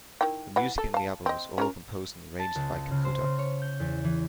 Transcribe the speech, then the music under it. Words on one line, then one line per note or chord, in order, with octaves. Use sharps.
The music in the album was all composed and arranged by Kikuta.
D#3 E4 G5
E3 B4 F#5
A4
F5 A5
C4 D#5
C#4 F4 A#4
A5
C#2
C#3
C5
C#3
C#5
G6
E2
E3